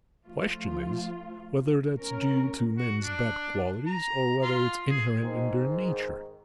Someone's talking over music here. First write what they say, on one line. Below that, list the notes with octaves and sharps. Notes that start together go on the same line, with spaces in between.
The question is, whether that's due to men's bad qualities or whether it's inherent in their nature.
F3 A3 F4
C#4 A#4
F#4
D4
A#5
F4
G#4
G#2 D#3